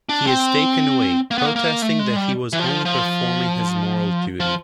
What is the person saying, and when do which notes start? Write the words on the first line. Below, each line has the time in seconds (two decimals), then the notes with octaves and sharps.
He is taken away, protesting that he was only performing his moral duty.
0.09 D4
0.27 C4
1.31 A#3
1.38 B3
1.46 A#3
1.56 A#3
1.82 A3
1.99 G#3
2.16 G3
2.53 E3
2.59 F3
2.85 F3
4.40 F3